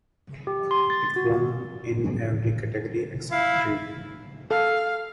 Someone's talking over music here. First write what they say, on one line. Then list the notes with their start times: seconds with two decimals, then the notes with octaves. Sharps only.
It won in every category except three.
0.47 G4
0.71 C6
0.90 A6
1.16 F#4
3.32 E4 F5
4.51 A4 F5